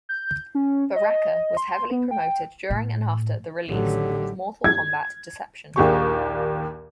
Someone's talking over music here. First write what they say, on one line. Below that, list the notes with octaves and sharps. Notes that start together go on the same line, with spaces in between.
Baraka was heavily promoted during and after the release of Mortal Kombat: Deception.
G6
C#4
D#5
C6
B3
G5
A2
A1 D3 D#3 F#3 G4
G#6
A#1 D#2 A#2 G4 G#4 C#6